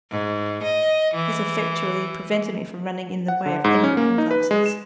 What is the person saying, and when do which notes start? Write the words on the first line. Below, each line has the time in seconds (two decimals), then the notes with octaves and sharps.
This effectually prevented me from running in the way of any looking-glasses.
0.11 G#2
0.64 D#5
1.15 E3
3.28 F#5
3.46 D3
3.64 G#2
3.84 C#4
3.97 A#3
4.18 D#4
4.31 B4
4.51 G#3
4.66 E7